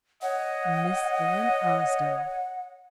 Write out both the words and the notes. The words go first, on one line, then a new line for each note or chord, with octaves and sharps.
"Miss Van Arsdale!"
C#5 D#5 F#5